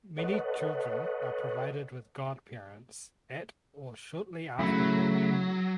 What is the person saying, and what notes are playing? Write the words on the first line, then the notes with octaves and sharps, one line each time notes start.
Many children are provided with Godparents at or shortly after birth.
A4 B4 C#5 D#5 F#5
C#3 F#3 A3 E4